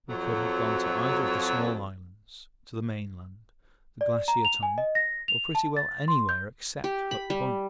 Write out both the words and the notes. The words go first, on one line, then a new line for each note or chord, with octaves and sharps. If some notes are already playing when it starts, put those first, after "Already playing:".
We could have gone to either of the small islands, to the mainland, the Glacier Tongue, or pretty well anywhere except Hut Point.
F2 F#3
D5
A#5
F7
G#5
D#5
A#6
F7
A5
A6
C6
G6
G4
B5
G3